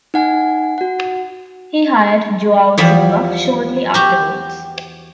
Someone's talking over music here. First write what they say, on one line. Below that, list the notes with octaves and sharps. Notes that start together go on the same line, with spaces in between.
He hired Joao Silva shortly afterwards.
D#4 F#5 G#5
F#4 F#5
E2 F3 G3 B5
F#4 G4